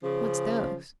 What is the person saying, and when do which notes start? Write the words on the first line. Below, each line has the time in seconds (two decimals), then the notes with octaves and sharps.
"What's those?"
0.03 C#3 F3